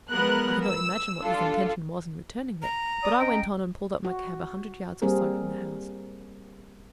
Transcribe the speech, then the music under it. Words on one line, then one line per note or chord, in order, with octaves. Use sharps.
I could not imagine what his intention was in returning there; but I went on and pulled up my cab a hundred yards or so from the house.
F3 F#3 G#3 B3 A#4 F#6
E6
G3 D4 F4 A4
A#5
D5 D#6
C#4 D#5 G5 A#5
F#4
G3 A#3 C4 G#4 A#4